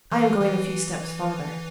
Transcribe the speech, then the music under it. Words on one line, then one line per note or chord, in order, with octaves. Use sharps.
"I am going a few steps farther."
E3
E3